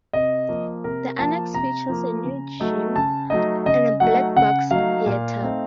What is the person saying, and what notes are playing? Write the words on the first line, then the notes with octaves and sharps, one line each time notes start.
The annex features a new gym and a black box theater.
C3 D#5
F3 A#3
C3 A#4
F3 A#3 A5
C3 A#5
F3 A#3
C#3
F#3 A3 D#4
C#3 A5
F#3 A3 D#4 D#5
C#3 D#5
F#3 A3 D#4 F#5
C#3 F#5
F#3 A3 D#4 F5
A#2
A3 C4 D#4